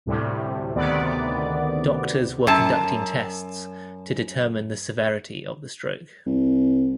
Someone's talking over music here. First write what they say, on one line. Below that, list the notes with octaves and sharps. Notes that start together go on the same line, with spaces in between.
Doctors were conducting tests to determine the severity of the stroke.
D2 A2 C3 G3
D2 C3 D#3 B3 D5
F#2 A5
C2